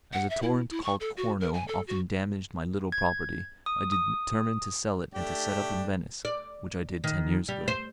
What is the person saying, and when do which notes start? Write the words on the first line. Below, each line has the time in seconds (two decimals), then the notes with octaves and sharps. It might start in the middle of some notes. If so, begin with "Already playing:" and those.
As a torrent called Corno often damaged my little property, I determined to sell it and to set up in Venice, which I did ten years ago.
0.13 F#5
0.30 E5
0.42 E4
0.70 E4
0.84 C#6
1.00 A4
1.17 F#4
1.41 A#4
1.54 G#5
1.68 A4
1.87 F#4
2.92 G#6
3.66 D#6
3.92 D#6
5.14 A3 D4 G4
6.25 D5
7.04 D#3
7.49 G3
7.68 C5